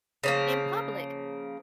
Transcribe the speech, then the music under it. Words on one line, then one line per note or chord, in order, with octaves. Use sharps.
In public.
C#3 F3 A#3